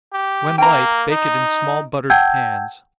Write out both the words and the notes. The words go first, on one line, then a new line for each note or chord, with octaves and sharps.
When light, bake it in small buttered pans.
G4
A#3 G5 A#5
D#4
F#5 G5 A5 E6 G6 G#6